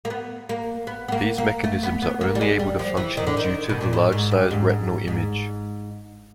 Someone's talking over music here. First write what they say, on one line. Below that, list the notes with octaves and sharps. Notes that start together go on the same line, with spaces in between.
These mechanisms are only able to function due to the large-sized retinal image.
A#3
B3
A#3
B3
B3
A#3
A#3
A3
B3
B3
A#3
G3
G#3
G3
F3
E3
D#3
D3
D#3
B2
A#2
A2
G#2
G2
G#2
G#2
G#2